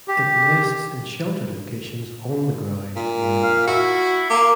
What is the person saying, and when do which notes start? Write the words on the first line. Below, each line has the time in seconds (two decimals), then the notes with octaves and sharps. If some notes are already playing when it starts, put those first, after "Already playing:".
It nests in sheltered locations on the ground near water.
0.08 G4
2.96 A#2
3.43 F5
3.67 E4 F#4
4.30 A#3 D6